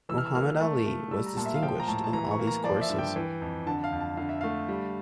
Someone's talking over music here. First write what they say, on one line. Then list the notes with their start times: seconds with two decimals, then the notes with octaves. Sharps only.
Mohammad Ali was distinguished in all these courses.
0.09 E3 E6
0.18 F6
0.26 E6
0.35 A#3 F6
0.61 A3
0.86 A3
1.11 G3 E6
1.26 A#5
1.37 A#2 A5
1.46 E5
1.54 F5
1.63 F3 G5
1.80 A#5
1.88 A2 A5
2.04 A5
2.13 E3 A#5
2.31 C#6
2.39 A#3
2.47 A#5
2.64 F3 D5
2.81 E5
2.90 G2
2.99 G5
3.16 E3
3.42 F2
3.66 D3 A5
3.84 F5
3.92 F2
4.00 A5
4.17 D3 F5
4.29 E5
4.41 A3 F5
4.68 G3